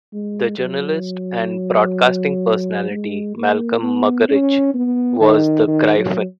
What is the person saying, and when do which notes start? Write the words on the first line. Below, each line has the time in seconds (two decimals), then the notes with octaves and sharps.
The journalist and broadcasting personality Malcolm Muggeridge was The Gryphon.
0.13 G#3
0.58 F#3
2.91 G#3
3.37 A#3
3.83 B3
4.29 C#4
4.74 B3
5.21 D#3
5.67 D#3
5.98 F#3